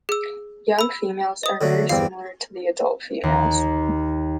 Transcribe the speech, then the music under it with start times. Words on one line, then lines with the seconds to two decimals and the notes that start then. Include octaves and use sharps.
Young females are very similar to the adult females.
0.09 G#4 E6
0.79 B5 E6
1.43 D#5 D#6
1.61 D3 F#3 A3
1.89 E2 G2 C4 F5
3.23 D#2